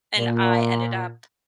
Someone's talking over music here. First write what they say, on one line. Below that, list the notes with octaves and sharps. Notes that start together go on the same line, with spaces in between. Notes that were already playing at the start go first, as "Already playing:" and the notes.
and I ended up
A#2